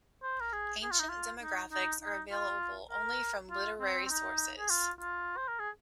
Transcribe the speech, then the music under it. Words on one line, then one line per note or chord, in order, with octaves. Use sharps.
Ancient demographics are available only from literary sources.
C5
A#4
G#4
G#4
F4
D#4
F4
D#4
D#4
D#4
F4
A#4
F4
C4
C4
D#4
G#4
F4
F4
C5
A#4
G#4